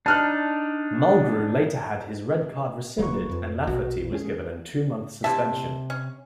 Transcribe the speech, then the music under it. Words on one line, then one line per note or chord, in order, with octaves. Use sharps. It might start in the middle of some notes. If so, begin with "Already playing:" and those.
Mulgrew later had his red card rescinded and Lafferty was given a two-month suspension.
D4 D#4 A5 F6 F#6
D1 F#3 A#3 B4 C#6
F2
A#1 B2 F#4
G#3 C#4 G#4
C3 E4 E5 A5
C#4